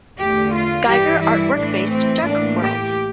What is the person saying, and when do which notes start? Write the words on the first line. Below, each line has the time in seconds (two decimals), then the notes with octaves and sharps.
Giger artwork-based Dark World.
0.17 E2 D3 A3 G4
0.53 F4
0.86 G2 E3 G3 G4
1.21 E4
1.55 A2 E3 A3 D4
1.89 C4
2.23 A2 E3 A#3 D4
2.58 G4